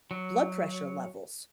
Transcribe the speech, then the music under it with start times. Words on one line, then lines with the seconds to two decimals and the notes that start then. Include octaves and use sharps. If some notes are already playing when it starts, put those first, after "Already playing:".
blood pressure levels,
0.11 F#3